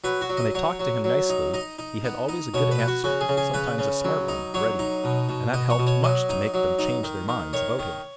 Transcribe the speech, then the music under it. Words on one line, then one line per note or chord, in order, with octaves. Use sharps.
When they talked to him nicely he had always a good answer, sometimes a smart one, ready, and that helped much to make them change their minds about him.
F#3 B4
F#4
F#3
D#5
F#3 C#5
F#3
F#3
D#4
D#4 D#5
D#4
B3
D#4
B2 C#5
B4
B3
F#4
C#3 F#4
G#4
C#3
G#4
C#3 B4
C#3
F#3
D#4
F#3 C#5
D#4
B2
B2
B2 D#5
C#5
B2
C#5
F#3 D#5
D#4
F#3
D#4
D#3
D#3
D#3 C#5
D#3